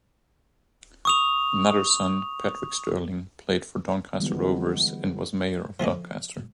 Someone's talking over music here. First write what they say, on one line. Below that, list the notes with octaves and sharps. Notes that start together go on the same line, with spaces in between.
Another son, Patrick Stirling played for Doncaster Rovers and was Mayor of Doncaster.
C#6 D#6 F7
D3 E3 F3 G3 G#3 B3
F3 A3 G#4 D#5